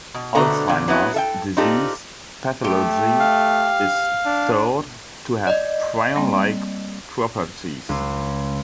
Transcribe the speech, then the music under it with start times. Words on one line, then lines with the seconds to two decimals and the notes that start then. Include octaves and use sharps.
Alzheimer's disease pathology is thought to have prion-like properties.
0.14 B2
0.35 B2 D3 A3 C4 A#5
0.68 A#2 D3
0.88 F#3 B3 E4
1.14 A4 E5 G5
1.57 C4 D4 D#4 F4 G4 A4
2.64 A3 G4
3.20 F5
4.26 D4
5.47 D5 D#5
6.16 G3 A#3 C4
7.89 C#2